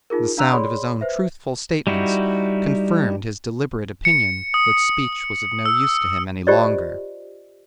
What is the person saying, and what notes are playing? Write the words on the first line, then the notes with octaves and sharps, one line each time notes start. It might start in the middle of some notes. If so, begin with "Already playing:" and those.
The sound of his own truthful statements confirmed his deliberate opinion that speech was of no use to him any longer.
D#4 F4 G#4 A#4
D4 F5 A#5 E6 F#6 F7
G#4 C#5 D5 B5 C6
B4 C5 E5
G3 D#4 E4 F#4
C#7
D#6
E6
F4 G4 C5 D5 D#5